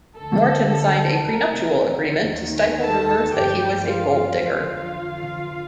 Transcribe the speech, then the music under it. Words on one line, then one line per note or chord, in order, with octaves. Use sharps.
Morton signed a prenuptial agreement to stifle rumors that he was a gold digger.
D2 D3 F3 A4 A5
F2 C3 D#3 A#4 A#5
D#2 D#3
A4 A5
G2 F3 G4 G5
F4 F5
F2 D3 F3 F4 F5